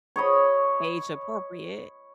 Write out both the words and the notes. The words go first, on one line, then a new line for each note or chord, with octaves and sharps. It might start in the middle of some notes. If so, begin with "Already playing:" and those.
age appropriate."
C#5 D#5 B5